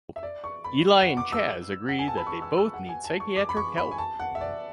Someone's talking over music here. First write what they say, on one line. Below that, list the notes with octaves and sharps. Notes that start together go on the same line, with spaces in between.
Eli and Chas agree that they both need psychiatric help.
E5
D5
C#6
B5
F#5
D6
E6
F#5
G#5
A5
B5
C#6
E6
E6
F#5
G#5
A5
C#6
D6
B5
C#6
B5
G#5
A5
F#5
E5
D5